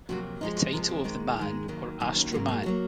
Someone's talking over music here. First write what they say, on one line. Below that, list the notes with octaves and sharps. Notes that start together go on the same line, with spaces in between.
The title of the Man or Astro-man?
F2 C3 F#3 A#3 F#4
C3 F3 G#3 D#4
F#4
C3 F3 G#3 A#4
C4
G#2 D#3 G#3
G#2 D#3 G#3
D#2 D#3 F#3 A#3
D#2 D#3 F#3 A#3
C#4
G#2 F#3 A#3 F#4
G#4
F#4
F#3 A#3